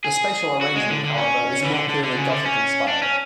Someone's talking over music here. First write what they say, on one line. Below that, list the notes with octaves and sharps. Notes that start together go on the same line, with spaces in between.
The spatial arrangement, however, is more clearly Gothic-inspired.
G#4
F#4
G#3
D3
D3
C#4
E3
D3
D3
D3
C#3
D3
C#4
D4
C#4